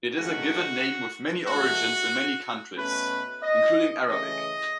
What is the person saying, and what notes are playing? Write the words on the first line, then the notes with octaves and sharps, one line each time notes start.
It is a given name with many origins in many countries including Arabic.
G#2 D#3 A3 C#4 F#4
G#2 E3 A3 F#4
B2 A3 C#4 B4
D#5
C#3 E3 A3 D#5